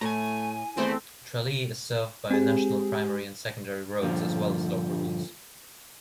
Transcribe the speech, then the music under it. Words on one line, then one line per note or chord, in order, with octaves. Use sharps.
Tralee is served by National Primary and Secondary roads as well as local routes.
A2 A3 G#5 A#5
E2 D#3 A3 C4 E4 C5
G#3 C4 G4 G#4
G2 A#2 D3 F3